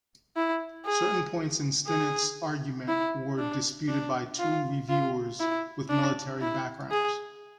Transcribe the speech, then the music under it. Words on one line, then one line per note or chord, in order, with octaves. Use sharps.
Certain points in Stinnett's argument were disputed by two reviewers with military backgrounds.
E4
G#4
G#4
E4
D4
D4
F4
F4
E4
D4
E4
G#4